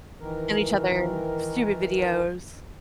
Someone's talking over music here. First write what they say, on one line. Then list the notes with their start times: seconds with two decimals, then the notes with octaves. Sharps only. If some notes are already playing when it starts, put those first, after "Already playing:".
and each other, stupid videos.
0.20 D#3 E3 A#4